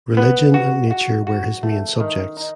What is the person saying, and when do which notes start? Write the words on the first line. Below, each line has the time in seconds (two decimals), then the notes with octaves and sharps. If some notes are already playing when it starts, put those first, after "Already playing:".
Religion and nature were his main subjects.
0.17 B3
0.54 F#4
0.91 F#4
1.27 F#4
1.63 A3
2.00 D#3
2.37 D#4